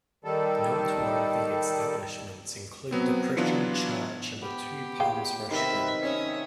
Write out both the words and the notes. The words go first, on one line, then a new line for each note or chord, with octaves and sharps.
Noteworthy establishments include the Christian Church and the Two Palms Restaurant.
D#3 G3 A4
F#3 B3 C4
E3 F#3 B3 D4 F4
B3 G4
G#4 F5 G5
C3 D#3 B4 E5 C6
C#4 E5 D#6